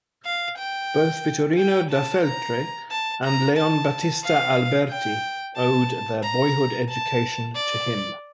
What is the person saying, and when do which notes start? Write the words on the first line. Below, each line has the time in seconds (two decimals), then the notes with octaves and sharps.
Both Vittorino da Feltre and Leon Battista Alberti owed their boyhood education to him.
0.25 F5
0.58 G5
1.58 G5
1.91 A5
2.24 A#5
2.91 A5
3.24 A#5
3.57 A5
4.23 F5
4.89 G5
5.56 A5
6.22 A#5
6.89 A5
7.55 D5